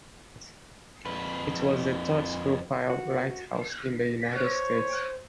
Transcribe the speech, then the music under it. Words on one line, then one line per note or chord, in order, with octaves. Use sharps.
It was the third screw-pile lighthouse in the United States.
F2 B4
F#4
C5 C#5